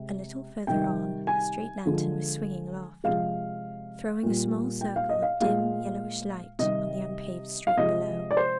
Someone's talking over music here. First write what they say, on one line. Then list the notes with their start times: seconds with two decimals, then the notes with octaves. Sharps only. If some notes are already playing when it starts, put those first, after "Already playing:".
A little further on a street lanthorn was swinging aloft, throwing a small circle of dim, yellowish light on the unpaved street below.
Already playing: C3 G#3
0.67 C3 D#3 G3 G5
1.27 G#5
1.86 D3 F3 G#3
3.04 C3 F3 G#3 F5
4.23 A#2 G3
4.81 G5
4.96 F5
5.09 D#5
5.22 F5
5.40 A#2 G#3 F5
6.59 C3 D#3 G3 D#5
7.67 F5
7.77 C3 F3 G#3 D#5
8.31 D5
8.37 C5